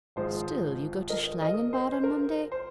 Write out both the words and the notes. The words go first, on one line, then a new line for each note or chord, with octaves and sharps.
'Still, you go to Schlangenbad on Monday?'
G#1 G#2 F3 G#3 C5
A#4 D#5
A#4 D#5
C5
C5
A#4
C5